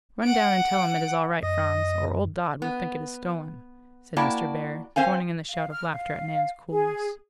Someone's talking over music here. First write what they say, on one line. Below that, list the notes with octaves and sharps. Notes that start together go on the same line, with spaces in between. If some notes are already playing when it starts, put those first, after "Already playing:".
"Run down and tell him it is all right, Franz, or old Dodd will think it is stolen," said Mr. Bhaer, joining in the shout of laughter at Nan's coolness.
F#5 D7
F#2 D#5
B3
A#3 E4 F#4 D5 G5 A5
C4 C5 F5 G#5
F5
F6
F5
G#4